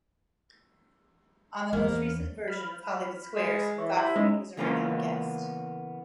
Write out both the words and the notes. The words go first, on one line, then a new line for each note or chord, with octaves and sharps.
On the most recent version of "Hollywood Squares", Gottfried was a regular guest.
E2 A#3 B3
B5 F6
G#3
E3 C#5
E4 G4 C5
G#3 C#4 D#4
C#3 E3 A#3 B3 C#4 F4